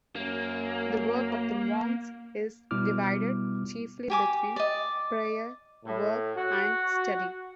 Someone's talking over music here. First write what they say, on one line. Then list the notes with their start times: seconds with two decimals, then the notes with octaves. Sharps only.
The work of the monks is divided chiefly between prayer, work and study.
0.16 F#2 A#3
2.71 B2 G3 B3 E4 D6 F6
4.10 G4 G#5 D6
4.56 D5 D#5
5.85 A2
6.35 F#4